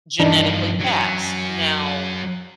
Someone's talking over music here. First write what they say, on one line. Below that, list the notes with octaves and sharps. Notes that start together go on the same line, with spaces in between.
Genetically passed. Now,
G2 E3 F3 D4 D#4
F#3 C#4